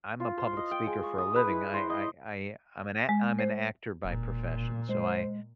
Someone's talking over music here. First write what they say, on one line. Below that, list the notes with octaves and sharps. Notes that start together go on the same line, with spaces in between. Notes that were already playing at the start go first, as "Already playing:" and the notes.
I'm a public speaker for a living. I I I I'm an act I'm an actor by profession, so I
F4
C5
D#5
G5
G#3
C#6
D#6
B4
E4
C5
D#5
G#3
C5
E1 A#2
G#3 C5